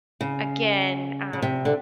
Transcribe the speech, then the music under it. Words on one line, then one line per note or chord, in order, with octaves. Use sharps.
again, um,
C#3
C#3
C3
D3